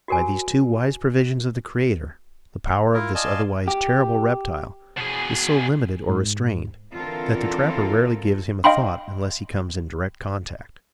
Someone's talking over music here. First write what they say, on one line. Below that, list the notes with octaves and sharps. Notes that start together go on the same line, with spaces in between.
By these two wise provisions of the Creator the power of this otherwise terrible reptile, is so limited or restrained, that the trapper rarely gives him a thought unless he comes in direct contact.
F#4 G4 A#4 C#5 G#5
E4 F4 A#4
D5 D#5 F5 G#5 A5 C6
G4
B2 G#4
G#2
D3 E3 C4 F4 A4 A#4
D#5 F5 G5 B5 C6